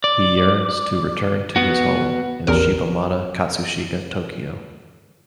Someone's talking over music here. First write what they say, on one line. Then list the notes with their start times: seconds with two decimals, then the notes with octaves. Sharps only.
He yearns to return to his home in Shibamata, Katsushika, Tokyo.
0.04 D5
1.56 B3 F#4
2.47 A1 E2 A#4